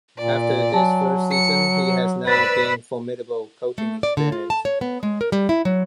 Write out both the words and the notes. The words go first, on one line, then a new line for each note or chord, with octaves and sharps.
After his first season he has now gained formidable coaching experience.
A#2 D5
F#3 G#5 A5
C#7
B4 C5 D5 E6 A6
A3
D5
D3
F4
A5
C#5
B3
G#3
A#4
G3
E4
F#3